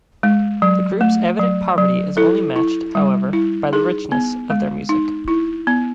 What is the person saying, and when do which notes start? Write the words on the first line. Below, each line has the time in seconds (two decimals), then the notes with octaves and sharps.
The group's evident poverty is only matched, however, by the richness of their music.
0.23 G#3
0.62 F#3
1.01 A3
1.39 F#3
1.78 F#3
2.17 E4 A4
2.56 E4
2.95 G3
3.33 E4
3.73 D#4 G#4
4.12 B3
4.50 G#3
4.89 D#4
5.28 E4
5.67 B3